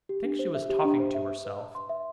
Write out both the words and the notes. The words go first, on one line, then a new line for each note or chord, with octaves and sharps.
I think she was talking to herself.
G4
D4
C5
E5
G4
D4
C5
E5
E5
B4
A5
C6
E5